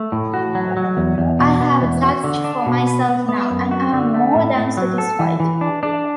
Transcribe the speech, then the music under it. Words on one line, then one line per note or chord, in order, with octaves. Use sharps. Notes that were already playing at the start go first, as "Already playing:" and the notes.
I have judged for myself now, and am more than satisfied.
Already playing: A3
A2
F#4
F#3
F#3
E2
E2
B2
B3
E2
F#4
D3
D4
B2
B4
B3
B3
F#2
F#4
D3
A3
A2
A2
F#3
A4
E3
E3
D4
D4